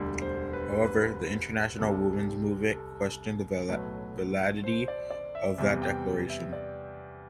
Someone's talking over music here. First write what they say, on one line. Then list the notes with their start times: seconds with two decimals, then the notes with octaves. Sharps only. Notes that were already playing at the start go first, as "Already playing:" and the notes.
However, the international women's movement questioned the validity of that declaration.
Already playing: E1 D2 D3 G3
0.22 C5
0.53 B4
0.85 B4
1.79 C2 C3 G3 A4
2.11 G4
2.74 A4
3.69 B1 A2 F#3 A3 B4
4.64 C5
4.88 D5
5.11 D5
5.35 E5
5.58 E2 C3 G3 E5
5.82 G5
6.30 E5
6.53 D5